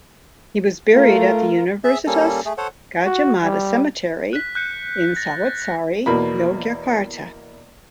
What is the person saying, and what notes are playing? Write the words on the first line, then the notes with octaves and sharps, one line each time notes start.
He was buried at the Universitas Gadjah Mada Cemetery in Sawitsari, Yogyakarta.
A3 F4 A#4
G#4 E5
G3 A#3 C#4 A4
A3 G#4
A4 C5 C#5 F#5
F#4
G3
F#6 B6
F#6 G6 C#7
A6 A#6
E2 B2 A#3 B5